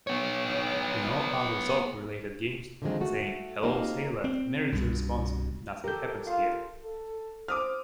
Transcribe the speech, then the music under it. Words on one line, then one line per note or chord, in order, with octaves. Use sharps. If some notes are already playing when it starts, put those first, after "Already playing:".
In all other "Zork"-related games, saying "Hello, sailor" merits the response "Nothing happens here".
B3 C#5
D3 D#3 F3 F#3 G#3 C4
A3 F#4
A#3 C4 D#4 F4 G4 A#4
C4
C2 G2 B2
G4 A4 A#4 G6
F4 F5
A4
C5 D6 D#6 F6